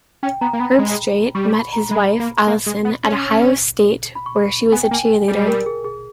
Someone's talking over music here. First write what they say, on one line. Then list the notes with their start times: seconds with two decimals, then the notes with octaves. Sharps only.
Herbstreit met his wife, Allison, at Ohio State, where she was a cheerleader.
0.23 C#4 G5
0.41 B3 A#5
0.53 A#3
0.60 B3 B5
0.79 G#3
1.35 G3 C#6
1.54 B5
1.73 A#5
1.91 G#3 B5
2.20 A#3
2.47 A#3
2.66 G#3
2.85 B3
3.04 C#4
4.15 B5
4.26 C#6
4.36 B5
4.72 B3 G#5
4.83 G5
4.91 A#3 G#5
5.28 G3
5.47 A#4
5.66 G#4
5.84 G#4